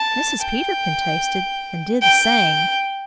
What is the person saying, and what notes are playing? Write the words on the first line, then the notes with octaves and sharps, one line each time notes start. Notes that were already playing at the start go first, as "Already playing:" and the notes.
Mrs. Peterkin tasted, and did the same.
Already playing: A5
G5
G5